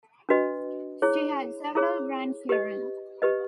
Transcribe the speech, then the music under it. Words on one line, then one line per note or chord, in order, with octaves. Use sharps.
She had several grandchildren.
D4 F#4 B4 D#5
E4 G#4 C#5
E4 G#4 C#5
G4 B4 D#5
G4 B4 D#5